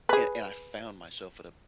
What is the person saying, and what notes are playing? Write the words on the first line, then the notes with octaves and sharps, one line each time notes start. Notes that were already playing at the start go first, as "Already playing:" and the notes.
and and I found myself at a
G#4 B4